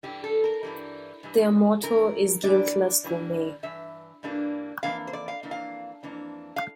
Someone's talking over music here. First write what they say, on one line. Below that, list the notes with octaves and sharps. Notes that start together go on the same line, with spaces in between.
Their motto is Guiltless Gourmet.
G2 E3 G3 G4
A4
A#4
G2 E3 G3
G2 E3 G3
G2 E3 A#4
G2 E3 G3 A#3 D4 D5
G2 E3 G3 A#3 D4
G2 E3 E5
G2 E3 G3 A#3 D4
F2 E3 A#3 D4 F5
C5
D5
F5
F2 E3 A#3 D4
F5
F2 E3 A#3 D4
F5